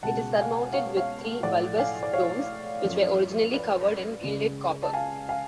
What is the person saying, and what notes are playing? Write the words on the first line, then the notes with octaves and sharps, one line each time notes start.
It is surmounted with three bulbous domes, which were originally covered in gilded copper.
C#2 B2 G#3 F#5 A5
F5 G#5
C#5 F5
C#5 F5
A2 F3 A3 D5 F#5
F5 G#5
D5
C#5 F5
F#2 F3 A3
B4 D5
C#2 C#3 G#3
A5
F5 G#5
F5 G#5